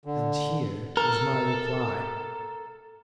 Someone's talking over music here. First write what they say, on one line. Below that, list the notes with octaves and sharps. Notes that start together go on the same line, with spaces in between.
"And here is my reply."
D3
A4 A#4